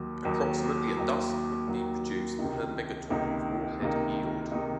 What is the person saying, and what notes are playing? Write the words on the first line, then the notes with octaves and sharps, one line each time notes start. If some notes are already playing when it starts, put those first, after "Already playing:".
Approximately of dust would be produced per megaton of warhead yield.
Already playing: D#2 D#3 F#3
D#2 D#3 F#3
D#2 D#3 F#3
D#2 D#3 F#3
C#2 C3 D#3 A#3 D#4
C#2 C3 D#3 A#3 D#4
C#2 C3 D#3 A#3 D#4
C3 D#3 A#3 D#4